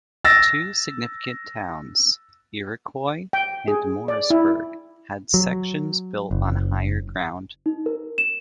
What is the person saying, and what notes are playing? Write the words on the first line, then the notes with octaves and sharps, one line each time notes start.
Two significant towns, Iroquois and Morrisburg had sections built on higher ground.
E6 A6 A#6
G5
G#4
D5
E4
F#3
F#1
D#4
A#4
E7